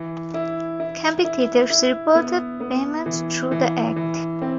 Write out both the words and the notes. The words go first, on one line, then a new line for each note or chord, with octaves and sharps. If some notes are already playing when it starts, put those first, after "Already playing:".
Competitors reported payments through the act.
Already playing: E3
E4
E4
E4
E4
B3
B3
E3
E3
E3
C4